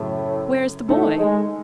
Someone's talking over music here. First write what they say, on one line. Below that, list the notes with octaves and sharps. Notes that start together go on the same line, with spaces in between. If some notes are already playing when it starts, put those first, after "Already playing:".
"Where is the boy?"
Already playing: F#2 A2 C#3 E3
A2 D#3 A3 D#4 A4
G#3